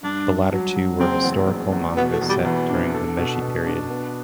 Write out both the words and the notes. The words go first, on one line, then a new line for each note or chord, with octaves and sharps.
The latter two were historical manga, set during the Meiji period.
G2 D4
G2
F#3
F#3
F#1 C4
E2
F#1
E2
B2 B3
A3
E2
G3
E2 E3
D4
A4
B2
B2
D4
B3